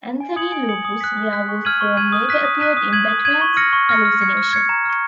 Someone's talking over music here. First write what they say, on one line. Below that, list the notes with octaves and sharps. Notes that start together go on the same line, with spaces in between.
Anthony Lupus' werewolf form later appeared in Batman's hallucination.
G#5
D#6 G#6 C#7 F#7
G#5
D#6 G#6 C#7 F#7
D#6
F#6 B6
D#6
F#6 B6
C#6
F6 G#6 D#7 F#7
C#6
F6 G#6 D#7 F#7
D#6
F#6 B6 D#7
D#6
F#6 B6 D#7
D#6
G#6 D#7 F#7
D#6
G#6 D#7 F#7
C#6
F6 A#6 C#7
C#6
F6 A#6 C#7
F6
G#6 C#7
F6
G#6 C#7
A#5
C#6 F6